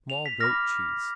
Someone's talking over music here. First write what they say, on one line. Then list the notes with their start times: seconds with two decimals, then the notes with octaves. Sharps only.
Small goat cheese.
0.10 F7
0.26 B6
0.40 B5 D6 F6 A#6